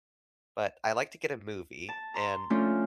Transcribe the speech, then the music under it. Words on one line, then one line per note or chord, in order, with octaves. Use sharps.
but I like to get a movie and,
A5
A#5 C6
F3 A3 C#4 D4 F4